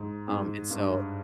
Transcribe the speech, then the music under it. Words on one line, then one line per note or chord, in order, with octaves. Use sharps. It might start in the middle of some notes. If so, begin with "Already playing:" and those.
um, and so
Already playing: G#2
G#2
G2